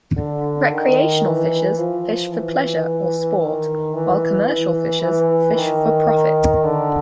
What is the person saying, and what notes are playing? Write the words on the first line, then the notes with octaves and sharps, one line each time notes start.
Recreational fishers fish for pleasure or sport, while commercial fishers fish for profit.
D3
D#3
E3
F3
E3
D#3
E3
E3
E3
D#3
D3